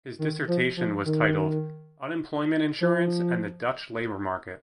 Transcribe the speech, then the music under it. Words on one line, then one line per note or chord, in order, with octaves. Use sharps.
His dissertation was titled "Unemployment insurance and the Dutch labour market".
D#3
F3
F3
D#3
F3